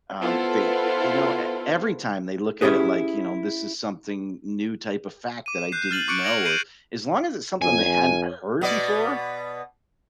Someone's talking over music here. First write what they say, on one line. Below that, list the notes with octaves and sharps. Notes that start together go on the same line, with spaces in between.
Um, they, you know e every time they look at it, like, you know this is something new type of fact that I didn't know or as long as it's something they hadn't heard before
B3 E4 F4 A4 C5
C#4 E4 G4 G#4 B4
D6 D#7
F#6 G6 C7
F6 A6 F#7
C#6 D6 F#6 C#7 D7
G#6 A#6 D7 F7 F#7
G6 C7 D7 D#7 F#7
F2 G#5
B2 B3 D5